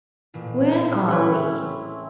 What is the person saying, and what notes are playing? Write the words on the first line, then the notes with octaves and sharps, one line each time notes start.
'Where are we?
A1 A#2
A3 C4 C#4 E4 C#6 C#7